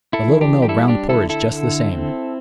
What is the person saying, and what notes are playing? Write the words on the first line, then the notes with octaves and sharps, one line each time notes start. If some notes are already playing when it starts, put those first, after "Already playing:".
The Little Mill ground porridge just the same.
E4 A4
E3
D4 G4
G4
G3 E4 A4
D4 G4
D3 E4 A4
E4 A4
D3
C4